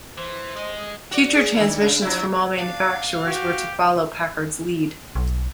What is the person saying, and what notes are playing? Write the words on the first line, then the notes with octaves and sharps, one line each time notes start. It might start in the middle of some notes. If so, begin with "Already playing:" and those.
Future transmissions from all manufacturers were to follow Packard's lead.
E3 C5
G#3 D#5
F#4 D5
G#4
D#3 D4 E4
C#3 D4
F3 F#3 E4
D4 F5
F#4 G4
B1